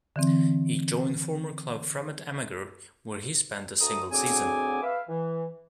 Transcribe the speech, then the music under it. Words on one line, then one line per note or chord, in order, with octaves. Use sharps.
He joined former club Fremad Amager, where he spent a single season.
D3 E3 C4
D2 A3 A#5 D#6
D2 F#3 C4 G#4 G#5 D6
B4 E5 F5
E3